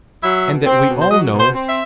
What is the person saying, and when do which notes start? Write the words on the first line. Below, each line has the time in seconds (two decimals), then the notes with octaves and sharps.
And that we all know.
0.24 F#3 E5
0.44 B2
0.66 C4
0.88 B2
1.02 C5
1.10 F#3 D#5
1.32 B2
1.40 C5
1.54 C4
1.68 E5